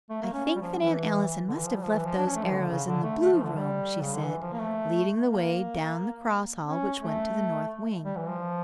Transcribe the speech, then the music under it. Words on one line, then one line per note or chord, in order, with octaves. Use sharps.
"I think that Aunt Allison must have left those arrows in the blue room," she said, leading the way down the cross hall which went to the north wing.
A3
A#3
C#4
C#4
G3
F3
E3
D3
E3
F3
G3
F3
E3
F3
D4
C#4
A3
F3
D3
C#3
D3
A3
A3
F3
D3
G3
C#3
D3
E3
F3
A#3
A3
A#3
C#4
A3
G3
E3
F3